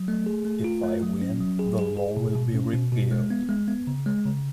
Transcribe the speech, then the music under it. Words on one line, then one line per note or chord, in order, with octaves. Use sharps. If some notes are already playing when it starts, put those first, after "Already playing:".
If I win, the law will be repealed.
Already playing: F#3
A3
G#4
A3
F4
A3
F#3
C#4
F#3
G#4
G#4
G#4
B2
B2
C#4
B2
B2
G#3
B3
G#3
B3
C#3
G#3
C#3